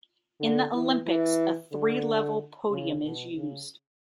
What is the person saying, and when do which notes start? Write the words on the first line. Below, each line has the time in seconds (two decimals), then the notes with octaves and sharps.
In the Olympics a three-level podium is used.
0.40 D3
0.73 E3
1.06 E3
1.72 D3
2.70 C#3
3.03 B2
3.36 C#3